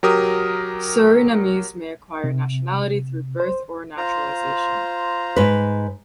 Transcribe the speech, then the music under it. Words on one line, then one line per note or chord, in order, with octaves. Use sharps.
Surinamese may acquire nationality through birth or naturalization.
F#3 G4 A#4 D#6
C3
C5
F4 C5 A#5
G#2 B4